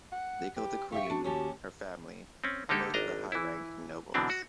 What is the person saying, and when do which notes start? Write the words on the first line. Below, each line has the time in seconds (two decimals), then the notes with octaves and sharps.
They killed the queen, her family, and most of the high-ranking nobles.
0.12 F#5
0.57 G4 B4
0.92 G4 E5 F5 G5 C#6
1.10 D4 F#4
1.24 D#2 C#4 G4 A5
2.44 C4 C#4
2.69 D3 A#3 D#4 G4 A4
2.94 G#1 D4 D#5 A#5
3.32 E3 E4
4.14 B2 D3 E3 F#3 C4 D4
4.30 F#4